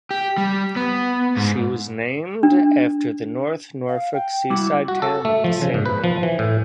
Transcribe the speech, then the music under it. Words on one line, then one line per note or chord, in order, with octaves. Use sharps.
She was named after the North Norfolk seaside town of the same name.
G4
G3
B3
G#2
D4
F5
G5
G3 E4 F#4 D6
F#4
A4
A3
F3
C#3
G#2
B4
F3
E3
A2